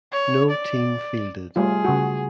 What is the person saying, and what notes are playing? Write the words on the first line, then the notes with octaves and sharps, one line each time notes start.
No team fielded.
C#5
D5
G3 A3 F4 G#4
C#3 F#4